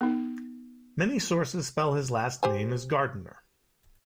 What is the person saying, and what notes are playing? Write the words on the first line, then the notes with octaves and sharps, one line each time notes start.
Many sources spell his last name as Gardiner.
B3 D#4
G4 C5 G#5